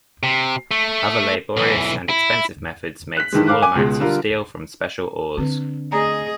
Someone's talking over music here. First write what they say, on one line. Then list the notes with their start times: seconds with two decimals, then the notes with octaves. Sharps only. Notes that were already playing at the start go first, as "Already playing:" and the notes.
Other laborious and expensive methods made small amounts of steel from special ores.
0.23 C3
0.71 A3
1.57 B1 E3
2.09 E4
3.17 F#6 B6
3.32 G2 D#3 E3 G#3
3.47 A#4 F5 D6 F#6
3.62 G#5 D6
3.75 C#2 B2 G#3
4.00 D3 G3 F4 A#4
5.38 D3 C4 B4
5.92 A3 G#4 D5 D#5 A#5